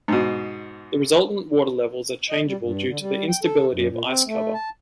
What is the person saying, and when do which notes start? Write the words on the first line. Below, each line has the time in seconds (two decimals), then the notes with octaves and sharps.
The resultant water levels are changeable due to the instability of ice cover.
0.08 G#2 B2
2.30 D#5
2.47 G3
2.62 G2
2.87 D3
3.01 G3
3.28 G5
3.43 A4
3.72 F#2
3.88 A#2
4.06 C4
4.27 A3
4.54 A5